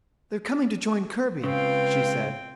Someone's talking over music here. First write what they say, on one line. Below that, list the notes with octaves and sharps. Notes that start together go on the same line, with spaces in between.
"They're coming to join Kirby," she said.
C#2 C#3 C4 F4 B4 F5 G5